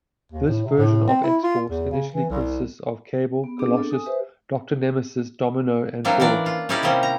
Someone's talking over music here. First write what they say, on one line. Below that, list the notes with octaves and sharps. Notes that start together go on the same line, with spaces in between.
This version of X-Force initially consists of Cable, Colossus, Doctor Nemesis, Domino, and Forge.
D#2
A2
C3
A2
C4
E4
F4
E2
C#3
E3
C2
B3
B3 C4 D4 G4 G#4 D6
D4 A4
G#5 D#6
G4 B4 C5 E5
F#3 G3 A#3 C4 D4 E4
E3 C#4 D4 D5
F4
C#4 D#4 E4 G4 G#4 D5
C3 G3 A#3 C4 C#4
A#5